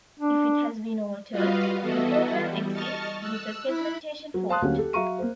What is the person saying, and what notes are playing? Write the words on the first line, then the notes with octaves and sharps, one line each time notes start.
If it has been altered, the program exits with a segmentation fault.
D4
G3 F4 F#4 B4 D#5 F5
E3 B3 E4 F#4 A4 D#5
G3
D#5 A5 C#6 F6 A6
E6 F#6
E4 B5
F#3
C5 F5 A5 C6 D#6 F#6
D2 F#3 A#3 C#4 G4 F5
G4 A4
F#3 E5 F5 A#5 C#6 D#7
A#3 C5